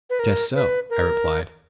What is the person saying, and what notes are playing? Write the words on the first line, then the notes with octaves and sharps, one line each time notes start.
"Just so," I replied.
B4
A#4
B4
A#4